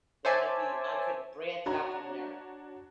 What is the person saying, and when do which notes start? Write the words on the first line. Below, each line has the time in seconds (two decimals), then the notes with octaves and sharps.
Then I'd be I could branch out from there.
0.25 C5 C#5 E5 G#5 A5 D6
1.66 D4 F#4 C#5 A#5